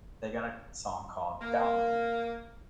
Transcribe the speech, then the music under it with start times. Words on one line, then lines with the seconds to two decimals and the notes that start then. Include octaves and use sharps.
they got a song called Doubt Me.
1.42 A#3